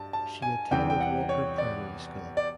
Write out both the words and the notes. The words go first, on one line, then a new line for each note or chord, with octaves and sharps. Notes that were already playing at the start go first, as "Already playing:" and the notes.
She attended Walker Primary School.
Already playing: G2 A5
A5
G#5
E2 C3 E3 G3 G5
G5
F#5
C#5
D5
D5